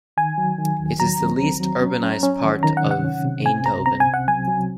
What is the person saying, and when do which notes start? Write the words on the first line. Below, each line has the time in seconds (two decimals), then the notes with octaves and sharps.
It is the least urbanised part of Eindhoven.
0.17 D#3 G#5
0.38 F#3
0.58 D#3
0.79 D#2
0.99 F#3 A#5
1.20 C4
1.40 C4
1.60 F#3
1.81 C#4
2.02 C#4
2.23 C#4
2.43 D#3
2.63 D#3 A#5
2.77 F#5
2.84 C3
2.91 F#5
3.04 C#4
3.25 C3
3.46 C4 G#5
3.66 C2 A#5
3.86 C4 A#5
4.00 G#5
4.06 C3
4.14 F#5
4.28 F#3 G#5
4.48 F#3